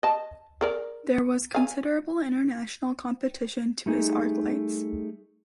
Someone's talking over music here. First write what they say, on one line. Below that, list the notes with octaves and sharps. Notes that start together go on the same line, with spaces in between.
There was considerable international competition to his arc lights.
D#5 A5
G#4 A#4 D5
F5 G#5
G3 A3 D#4 G#4